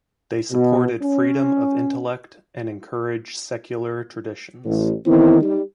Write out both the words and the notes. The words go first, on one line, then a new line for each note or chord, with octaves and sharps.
They supported Freedom of intellect and encourage secular traditions.
B2
C#4
A1
D#3 E3 B3 C4 E4
G3 D#4